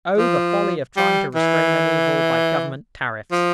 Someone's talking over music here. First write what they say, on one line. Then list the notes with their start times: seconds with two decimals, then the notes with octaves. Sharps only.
Oh, the folly of trying to restrain an evil by government tariffs!
0.18 F3
0.97 G3
1.35 E3
3.32 F3